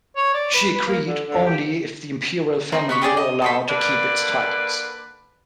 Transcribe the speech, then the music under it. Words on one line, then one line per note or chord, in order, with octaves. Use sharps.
She agreed only if the imperial family were allowed to keep its titles.
C#5
D5
B4
B4
A#3
D3
D3
G4
C4 D#4
B3 B5 C#6
G4 G#4 C#5 D5
D#5
A4 C5 B5
D3 A#3 B4 D5